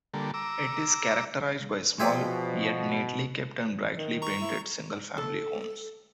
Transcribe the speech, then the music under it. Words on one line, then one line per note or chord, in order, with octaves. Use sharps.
It is characterized by small yet neatly kept and brightly painted single-family homes.
D3 G3 A#3 A4
A#5 D6 E6
B2 F3 G#4 C5 D5 E5 G5
D#3
A#5 C#6
E4
A4